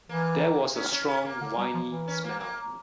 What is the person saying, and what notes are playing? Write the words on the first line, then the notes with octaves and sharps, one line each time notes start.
There was a strong, winey smell.
E3 A#3
C#4
C#4
C#4
A#3
D3
G3
F3
E3
C#4
A#3
A#3